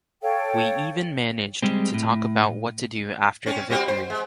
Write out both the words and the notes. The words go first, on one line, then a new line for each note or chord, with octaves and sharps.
We even managed to talk about what to do after the victory.
A4 C#5 F5 G5
G3 G#3 C4
A2
C4 C#4
G3 C4 F#4
C5
G#3